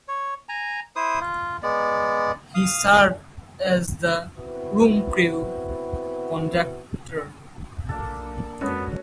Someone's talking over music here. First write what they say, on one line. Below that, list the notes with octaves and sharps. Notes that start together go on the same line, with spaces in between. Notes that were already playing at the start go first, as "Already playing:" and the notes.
He served as the "Worm Crew" conductor.
C#5
G#5 A#5
E4 C5 D#6
F4
G#3 B3 D5
F5 D#6
B3 C4 E4 F#4 B4
B1 A#3 D4 A4
F2 G#3 B3 C#4 F#4 A4